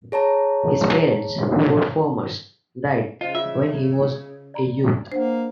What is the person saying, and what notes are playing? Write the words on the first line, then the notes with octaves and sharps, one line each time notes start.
His parents, who were farmers, died when he was a youth.
G#4 C#5 A5 A#5
C#3 F4 C5 D#5
F4 E5 D6 E6
D5 A#5 B5
A#3 D4 C5 F#5